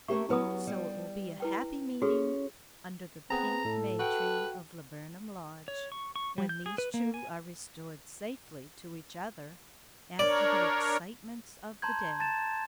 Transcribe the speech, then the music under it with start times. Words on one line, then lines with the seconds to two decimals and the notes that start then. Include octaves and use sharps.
So it will be a happy meeting under the pink may tree of Laburnum Lodge when these two are restored safely to each other after the excitements of the day.
0.08 A3 A#3 C#4 G4 E5 C#6
0.29 F#3 B3 E4 G#4 B4 D#6
0.67 G3
1.40 E4 B4 G5
2.02 C#4 F#4 G#4 A4
3.30 B3 C4 G#4 B4 A#5
3.65 A2 A4
3.99 F#4 B4 F#5 G5
5.68 C#5
5.92 C#6
6.16 C#6
6.38 G3
6.49 G6
6.66 G#4
6.78 B4
6.94 A#3
7.14 G#5
10.19 D4 A#4 C#5 D5
11.82 A5 A#5 C6 G6 G#6
12.20 A5 A6 E7